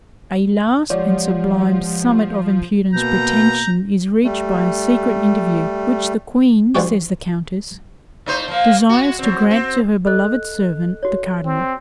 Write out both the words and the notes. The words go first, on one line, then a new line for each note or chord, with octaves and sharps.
A last and sublime summit of impudent pretension is reached by a secret interview which the Queen, says the countess, desires to grant to her beloved servant the cardinal.
F3 G#3 G4 C#5 D5 F#5
B2 A#3 A#5 G6
G3 A3
D3 F3 G#3 C4 F#4 G4
A2 D#4 C5
F3 A#3
G#3 F#4
F#3 C4
C4
A4 D#5 F#6
F#4 C#5
C4